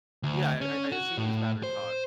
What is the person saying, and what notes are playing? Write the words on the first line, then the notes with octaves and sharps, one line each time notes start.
Yeah, I I I assume it was battered cod.
D2
C#4
F#4
A2
C5